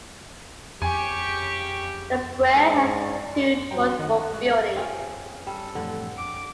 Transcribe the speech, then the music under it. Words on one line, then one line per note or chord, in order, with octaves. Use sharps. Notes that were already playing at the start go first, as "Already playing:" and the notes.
The square has two notable buildings.
F2 C#3 G4 G5 G#5 C#6
G#2 D5
G2 F3 F#4 F#5 G5 A#5
D#3 A3 D#5 F#5
A#1 G#3 F#6
C4 C#4 F4 G#4
G3 A4
F2 A2 D3 E3
G4 D6